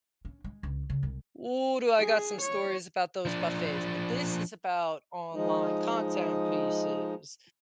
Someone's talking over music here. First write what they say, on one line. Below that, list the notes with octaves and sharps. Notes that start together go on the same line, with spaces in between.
Ooh, do I got some stories about those buffets, but this is about online content pieces,
C#4
G#3
C#2
C#3
C2 G#3
G#4
C#5
F3 D4
F3 G#3 D#4